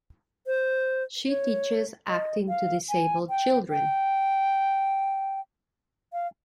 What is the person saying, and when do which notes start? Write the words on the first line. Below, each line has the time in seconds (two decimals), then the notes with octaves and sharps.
She teaches acting to disabled children.
0.47 C5
1.28 C#5
2.09 D#5
2.49 F5
2.89 G#5
3.30 G5
3.71 G5
6.13 F5